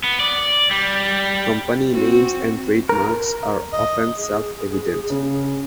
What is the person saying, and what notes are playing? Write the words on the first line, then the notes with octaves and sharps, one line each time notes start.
Company names and trademarks are often self-evident.
B3
D5
G3
C4 F#4
A#4
D#5
G#4
C#3